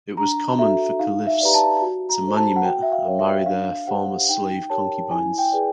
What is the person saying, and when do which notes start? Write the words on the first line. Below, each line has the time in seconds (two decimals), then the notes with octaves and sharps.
It was common for Caliphs to manumit and marry their former slave concubines.
0.17 D4 A#5
0.58 F#4 A4 E5
0.99 D#4 F5
1.27 E5
1.41 G4 B4 D5 A#5
1.54 A5
1.82 F#4
2.09 A#5
2.23 A4 C5
2.36 A5
2.56 F#5
2.64 F#4 G5
2.82 E5
2.92 F5
3.05 A#4 C#5
3.19 E5
3.46 D4 F5
3.87 G4 C5 F#5
4.29 D#4 G5
4.70 G4 A#4 C#5 A5
5.11 E4 G#5
5.38 G5
5.52 G#4 B4 D5